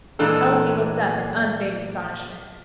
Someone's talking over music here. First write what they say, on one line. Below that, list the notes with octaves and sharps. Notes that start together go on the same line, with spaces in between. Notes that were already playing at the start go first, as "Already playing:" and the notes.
Elsie looked up in unfeigned astonishment.
A#2 E3 G#3 D4 A4